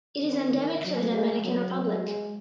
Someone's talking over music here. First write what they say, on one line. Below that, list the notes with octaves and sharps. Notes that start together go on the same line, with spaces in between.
It is endemic to the Dominican Republic.
D#3
D#3
F#3
G#3
F#3
F#3
G#3